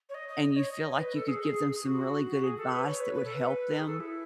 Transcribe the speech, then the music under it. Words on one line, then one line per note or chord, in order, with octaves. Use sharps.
and you feel like you could give them some really good advice that would help them,
C#5
D#5
D#5
D#5
C#5
D#5
D#5
B4
A4
G#4
G#4
G#4
F#4
G#4
A4
B4
C#5
B4
B4
A4
B4
G#4
A4
E4